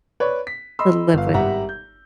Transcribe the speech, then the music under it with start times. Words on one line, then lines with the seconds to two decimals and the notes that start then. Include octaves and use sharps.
to live with
0.20 B4 C#5 D5
0.47 B6
0.79 D#5 B5 C6 E6
1.13 G1 F5
1.34 G#1 G3 E5 F#5 A#5
1.69 G6